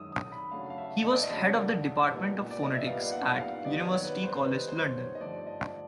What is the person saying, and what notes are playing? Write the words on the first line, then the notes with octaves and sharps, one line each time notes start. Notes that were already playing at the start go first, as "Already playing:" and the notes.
He was head of the Department of Phonetics at University College, London.
Already playing: F#2 D#3 G#3 C#4 D#6 E6
D#6
B5
C#3 F#3 A3 D4 F5
F5
E5
D#5
D5
D#5
C#3 F#3 A3 D4
A#2 G3 B3 D#4
D5
D#5
E5
A#2 G3 B3 D#4 F5
F#5
F5
D#3 G3 B3 D#4 D5
C#5
B4
C5
D#3 G3 B3 D#4 B4
C5
C#5
D#5
G2 D3 F3 A3 D5
D#5